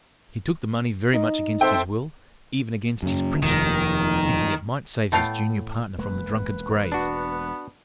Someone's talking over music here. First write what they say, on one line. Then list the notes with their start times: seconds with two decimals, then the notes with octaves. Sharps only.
He took the money very much against his will, even against his principles--thinking it might save his junior partner from the drunkard's grave.
1.14 D#4 D#5
1.61 C4 A4 C5 E5 G5
3.03 F#2 C#3
3.43 F1 D#2 D#3 F3
5.12 A2 A3 B3 F5 G5
5.98 E1 G#3 A#3 B4
6.92 B3 D4 F#4